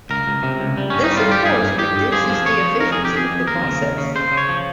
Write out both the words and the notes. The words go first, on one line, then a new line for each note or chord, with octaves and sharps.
This, of course, reduces the efficiency of the process.
C#2 A#4
C#2
C3
C#2
G3
G2 C#4
D#4
G3
F4
G3 G4
G2 G#4
G2
G2 G4
G2
F3 G#4
F3
F2 C#5
F3
F2 A#4
F2 G#4
G4
F2 G#4
F2
D#2 A#4
C#3
D#2
C#3
C#3 C5
C#3
C#5
F3